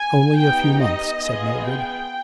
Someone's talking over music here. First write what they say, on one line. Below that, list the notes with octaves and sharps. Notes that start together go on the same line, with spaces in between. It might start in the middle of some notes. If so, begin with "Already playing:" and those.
'Only a few months,' said Mildred.
Already playing: G#5
B3 D#4 G4 G5
D#5
B3 F4 G#4
G5